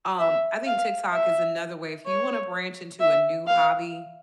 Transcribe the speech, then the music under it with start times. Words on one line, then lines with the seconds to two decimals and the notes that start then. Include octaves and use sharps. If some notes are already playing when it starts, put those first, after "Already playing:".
um, I think TikTok is another way if you wanna branch into a new hobby,
0.18 E5
0.66 F5
1.12 E5
2.06 C#5
3.00 E5
3.47 F5